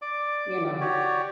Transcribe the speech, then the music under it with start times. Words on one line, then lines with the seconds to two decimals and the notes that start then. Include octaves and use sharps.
you know,
0.02 D5 D6
0.81 F#4 G4 C#5 D5